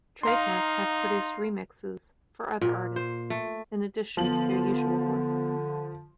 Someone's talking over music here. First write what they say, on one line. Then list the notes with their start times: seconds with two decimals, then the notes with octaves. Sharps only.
Trademark have produced remixes for other artists in addition to their usual work.
0.23 D#4 F5 A#5 C6
2.61 A#2
2.96 C5
3.30 A3
4.17 D3 F3 B3 F#7